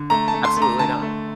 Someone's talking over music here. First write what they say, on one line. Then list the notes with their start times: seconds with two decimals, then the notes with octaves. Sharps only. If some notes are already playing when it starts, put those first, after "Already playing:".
Absolutely not.
Already playing: D3
0.10 A3 A#5
0.28 A5
0.34 A3
0.45 C6
0.57 A3 A#5
0.79 D3 A5
1.02 A3